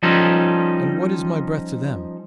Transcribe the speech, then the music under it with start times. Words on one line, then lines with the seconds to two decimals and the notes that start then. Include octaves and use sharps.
And what is my breath to them?
0.03 F3 G3 C#4 D#4 A4